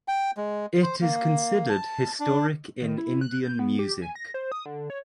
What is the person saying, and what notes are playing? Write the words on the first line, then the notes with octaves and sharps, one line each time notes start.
It is considered historic in Indian music.
G5
G#3
C5
A#3
A5
D4
D#3
E4
F#6
G6
B3
G4
G#5
A#6
C5
D#6
D3
C#5